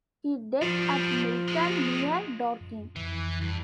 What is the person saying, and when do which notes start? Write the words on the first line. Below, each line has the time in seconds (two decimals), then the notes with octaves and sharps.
He died at Milton, near Dorking.
0.62 F3 G3 D4
1.48 D#2 G#3
2.61 F#2
2.96 F2 E3
3.41 G2